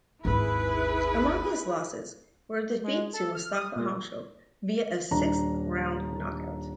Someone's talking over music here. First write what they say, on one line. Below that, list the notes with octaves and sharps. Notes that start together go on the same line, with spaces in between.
Among his losses were a defeat to Mustafa Hamsho, via a sixth-round knockout.
G#1 D#2 E4 G#4 B4
G#3
A4
F6
D#6
A#2
D#1 D4 A#5